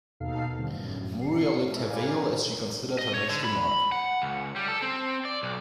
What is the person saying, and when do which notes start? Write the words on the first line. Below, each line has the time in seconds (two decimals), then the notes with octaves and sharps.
Muriel licked her veil as she considered her next remark.
0.20 D#2 B2 D#4 A4 F5 C7
0.58 B2 D3 D#3 G3 C4
0.71 G1 F#2 A2
1.21 C7 C#7
1.65 G#2 A4 E5 F6
1.82 G4 A#4 B4 D5 F5 G#5
2.99 D#5
3.14 C#5
3.29 D3
3.44 B5
3.92 F#5
4.22 C#2
4.56 G3
4.68 A4
4.82 C4
5.25 D5
5.43 B1